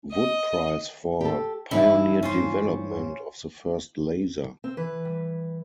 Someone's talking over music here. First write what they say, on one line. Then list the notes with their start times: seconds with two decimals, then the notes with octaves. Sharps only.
Wood Prize for "Pioneer Development of the First Laser".
0.12 D#5
1.21 G4 A4
1.71 G2 E3 D#4 E4
2.23 C#4 F4 C5
4.64 C4
4.77 E3 B4
5.05 G3